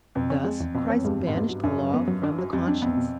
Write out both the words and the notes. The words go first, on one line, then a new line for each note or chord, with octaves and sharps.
Thus Christ banished the Law from the conscience.
F2 B2
C#4
G#3
E2
F2 B2
E2
F2 C#4
G2 G#3
E2
G#2
G2 B3
F#3
F#2 D4
F#3
B3
F#3
D4
F#3
F2 G3
D4
F2 B3
B2